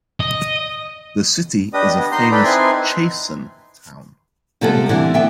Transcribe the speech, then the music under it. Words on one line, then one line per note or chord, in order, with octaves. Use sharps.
The city is a famous "Chasen" town.
D#5
D4 G4 B4 D#5 D#6
B3
D#4 D#5 A#5 C6 G6
A4 B4 D5 G5 B5
C4 D#4 E4 B4 G#5 C6
C3 F3 G3 G#3 B3 A4
D3 E3 C4 D4
B3 E5 G5